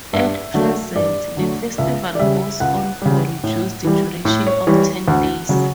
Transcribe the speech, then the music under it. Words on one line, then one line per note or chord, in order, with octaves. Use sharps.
At present, the festival goes on for reduced duration of ten days.
G2 E5
D3 F#3 A3
G2 D5
D3 F#3 A3
C#2 E5
D5
C#3 G3 E5
C#2 F#5
C#3 G3
A2
E3 G3
A2
C#5
E3 G3 C#5
D2 F#5
C#3 F#3